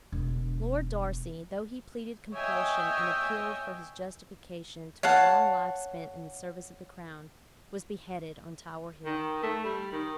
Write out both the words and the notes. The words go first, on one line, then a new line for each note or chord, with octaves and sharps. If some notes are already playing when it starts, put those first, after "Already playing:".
Lord Darcy, though he pleaded compulsion, and appealed for his justification to a long life spent in the service of the crown, was beheaded on Tower Hill.
E1 D3
C#5 D#5 E5 G5 G#5
C#5 F5 F#5 A5
D#3
A3
G3
D#3